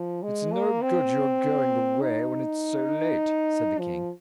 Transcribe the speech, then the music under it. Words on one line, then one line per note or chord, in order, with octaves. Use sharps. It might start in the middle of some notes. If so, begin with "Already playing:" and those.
'It's no good your going away, when it's so late', said the king.
Already playing: F3
G#3
A#3
C4
D#4
F3